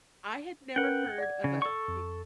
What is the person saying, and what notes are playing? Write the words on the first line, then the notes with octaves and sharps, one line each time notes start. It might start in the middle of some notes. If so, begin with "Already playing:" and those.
I had never heard of a big
C#4 A#4 B4 F#5 G5
D5 F#5 G#6
C#3
A4 C#6
F2